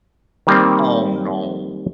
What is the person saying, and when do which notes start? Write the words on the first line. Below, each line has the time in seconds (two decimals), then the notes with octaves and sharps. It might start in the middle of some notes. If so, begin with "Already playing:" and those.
Oh, no.
0.47 D#3 G3 A#3 C4